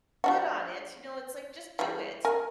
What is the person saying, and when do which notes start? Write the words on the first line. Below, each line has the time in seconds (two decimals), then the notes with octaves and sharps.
good on it, you know, it's like just do it,
0.24 F3 D4 F#4
1.79 E3 G3
2.25 A#4 G#5